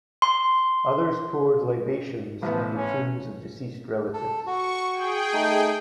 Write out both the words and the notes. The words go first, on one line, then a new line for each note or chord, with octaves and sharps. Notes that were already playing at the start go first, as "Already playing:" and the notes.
Others poured libations on the tombs of deceased relatives.
C6
A1 F3 B3
C#4
A4
F#4 C#6
G#4 G5
A3 D#4